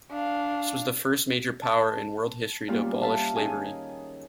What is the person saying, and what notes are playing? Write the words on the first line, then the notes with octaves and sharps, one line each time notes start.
This was the first major power in world history to abolish slavery.
D4 F5
A5
E2 G3 A#3 C#4 F4 G4
E5 F5 A5
D#3 C#4 D#4 G#4 G#5